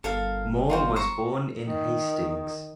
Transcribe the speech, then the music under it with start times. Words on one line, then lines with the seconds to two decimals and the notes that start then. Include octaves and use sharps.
Moore was born in Hastings.
0.04 G1 A4 A#4 F5
0.70 F4 F#4 C5
0.96 C5 A#5 C#6
1.67 D#3